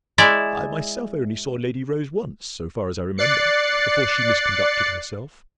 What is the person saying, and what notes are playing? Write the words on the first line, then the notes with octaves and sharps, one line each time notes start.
I myself only saw Lady Rose once, so far as I remember, before she misconducted herself.
G#3 E4 D5 E5
D5 F#6 A6 C7 C#7